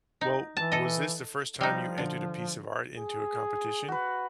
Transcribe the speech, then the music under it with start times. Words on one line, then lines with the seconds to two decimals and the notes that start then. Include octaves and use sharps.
Well, was this the first time you entered a piece of art into a competition?
0.21 D#4
0.57 E3 A5
0.72 A4 D#5
1.61 F3 G3 D#4
1.98 D3
2.98 G#4
3.88 F#4 B4